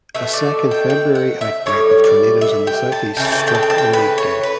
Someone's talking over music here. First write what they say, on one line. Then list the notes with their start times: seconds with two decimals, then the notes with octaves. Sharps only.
A second February outbreak of tornadoes in the Southeast struck on Leap Day.
0.15 B2 A3 E5
0.33 D5
0.71 G5
0.90 G5
1.15 F#5
1.41 E5
1.66 A2 G3 C#5
2.04 D5
2.41 E5
2.67 G5
2.92 A5
3.17 C#3 G5
3.20 E3 A3 A5
3.32 G5
3.40 A5
3.48 G5
3.55 A5
3.63 G5
3.70 A5
3.78 G5
3.93 B4
4.18 C#5
4.43 B4